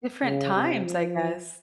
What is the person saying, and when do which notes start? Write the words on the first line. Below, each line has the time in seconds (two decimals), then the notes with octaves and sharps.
Different times, I guess.
0.24 C#3
0.54 C3
0.85 F3